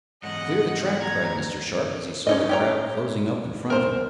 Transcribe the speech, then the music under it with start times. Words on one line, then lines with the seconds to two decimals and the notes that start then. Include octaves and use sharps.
"Clear the track!" cried Mr. Sharp, as he saw the crowd closing up in front of him.
0.23 E2 G#2 D#5 F#5
1.00 A#5 G#6
2.27 C#4 D#4 D#5
2.49 G4 C#5 A#5
3.70 A#4 C5